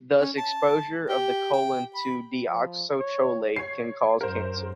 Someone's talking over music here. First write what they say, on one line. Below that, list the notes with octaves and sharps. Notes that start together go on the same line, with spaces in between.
Thus, exposure of the colon to deoxycholate can cause cancer.
C#4
A5
G4
G5
B5
F3
C#5
C#5 C7
F#2 A#4 C5